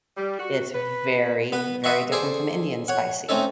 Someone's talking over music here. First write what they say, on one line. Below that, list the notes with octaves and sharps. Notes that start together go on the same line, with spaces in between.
it's very, very different from Indian spicy.
G3
F#4
B4
B3 B4
B4 D#5 E5 F#5 C6 C#6
G#4 A4 C5 D5
C#5 F#5
A3 C4 C#4 D#4 A4